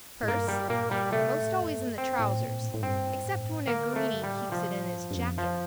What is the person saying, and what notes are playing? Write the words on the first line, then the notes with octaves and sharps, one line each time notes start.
Purse--most always in the trousers, except when a greeny keeps it in his jacket.
A2
G2 A#3
G3
A#2 A#3
G3
C3 A3
A2
F2
G2
C4
A2
A#2
A2
A2
G2 C4
A2
D3 A#3
A3
G2
A2 G3
A#2
C3 F3
A2
G2
G2
F2
F3